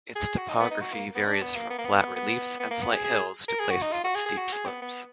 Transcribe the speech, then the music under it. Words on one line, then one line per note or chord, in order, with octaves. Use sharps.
Its topography varies from flat reliefs and slight hills to places with steep slopes.
G#4
F#4
D#4
B3
D#4
F#4
A#3
B3
D4
B3
A#3
B3
A#3
B3
B3
B3
B3
A#3
B3
G#4
G#4
A#4
G#4
F#4
D#4
F4
F#4
G#4
G#4
F#4
G#4
B3
B3